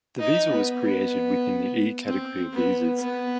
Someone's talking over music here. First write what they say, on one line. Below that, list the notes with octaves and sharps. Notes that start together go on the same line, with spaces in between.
The visa was created within the E category of visas.
D#4
B3
B3
C4
B3
B3